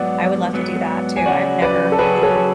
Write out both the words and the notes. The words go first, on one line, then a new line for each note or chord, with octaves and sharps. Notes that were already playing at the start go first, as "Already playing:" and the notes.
I would love to do that too. I've never, you know
Already playing: G#2 F#3 B3 D5 F#5
G#2 F#3 B3
G#5
C#3 F#3 C#4 F#4 D5 F#5
B4 D5
A4
C#3 F#3 C#4 F#4 G#4 B4
A4 C#5